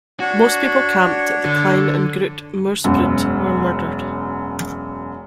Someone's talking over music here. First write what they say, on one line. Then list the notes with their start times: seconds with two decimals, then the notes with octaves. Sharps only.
Most people camped at the Klein- and Groot-Moordspruit were murdered.
0.20 D4 F#4 C#5
1.45 D3
2.84 E1 F#2